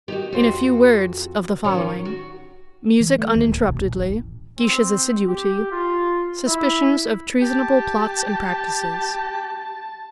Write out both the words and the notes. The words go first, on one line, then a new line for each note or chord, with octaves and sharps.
"In a few words, of the following: music uninterruptedly; Guiche's assiduity; suspicions of treasonable plots and practices."
D#3 D#4 F#4 G4
F2 F#4 C5
D#3 F#3 C#4
F#4
E3
A3
D#2
D1
B1
D#1
A1
C4
G4
F4
E4
G4 A5